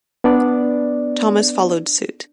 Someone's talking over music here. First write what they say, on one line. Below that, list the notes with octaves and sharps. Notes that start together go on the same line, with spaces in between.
Thomas followed suit.
B3 D4 D5